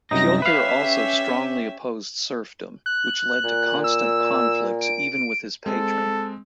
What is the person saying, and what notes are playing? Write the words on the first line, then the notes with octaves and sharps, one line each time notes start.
Piotr also strongly opposed serfdom, which led to constant conflicts even with his patron.
C2 F#2 D#4 A#6
C#4 G4 B4 E5 F5
F#6
A#2
E6
D7
G#3 C4 A4